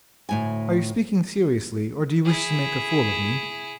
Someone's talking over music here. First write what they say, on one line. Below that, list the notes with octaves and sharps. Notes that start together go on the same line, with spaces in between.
Are you speaking seriously, or do you wish to make a fool of me?'
D2 A2 G#5
E4 G#4